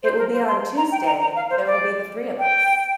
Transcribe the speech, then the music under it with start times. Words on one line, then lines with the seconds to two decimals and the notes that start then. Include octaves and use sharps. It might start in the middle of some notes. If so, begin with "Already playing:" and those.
It will be on Tuesday; there will be the three of us.
0.03 C5
0.18 A#4
0.33 C5
0.47 C6
0.77 A#5
0.92 G5
1.06 A#5
1.21 A#5
1.36 F5
1.50 C5
1.65 D5
2.39 G5